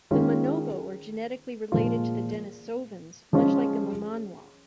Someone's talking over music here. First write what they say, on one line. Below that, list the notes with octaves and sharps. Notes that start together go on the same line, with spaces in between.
The Manobo are genetically related to the Denisovans, much like the Mamanwa.
D#3 G#3 C#4 F4
A#2 F3 G#3 F4
F3 G#3 C#4 F4